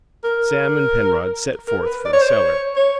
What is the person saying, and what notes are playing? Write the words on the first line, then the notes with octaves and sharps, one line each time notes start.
Sam and Penrod set forth for the cellar.
A#4
A#4
B4
D5
C#5
C5
C#5
C#5